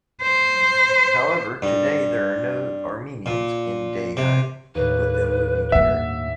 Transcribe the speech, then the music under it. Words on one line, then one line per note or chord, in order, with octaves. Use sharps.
However, Today there are no Armenians in Dehi, with them moving to Europe.
C5
G2
A#2
C3
D#2 A2 B4
G2 A#3 E5 F#5